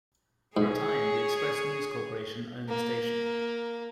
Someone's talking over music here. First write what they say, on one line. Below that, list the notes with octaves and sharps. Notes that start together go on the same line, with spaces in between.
For a time the Express News Corporation owned the station.
G#2 G#4 C#5
A#3